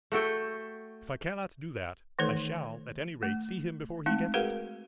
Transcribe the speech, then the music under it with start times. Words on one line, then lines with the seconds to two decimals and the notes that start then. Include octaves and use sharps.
'If I cannot do that, I shall at any rate see him before he gets it.
0.12 A3 F#4 A4 G5
2.19 D#3 E3 A3 D#4 A4 B4
3.23 A3
4.06 G#3 A3 C4 D#4
4.34 F#4 G#4 A#4 B4 F5 F#5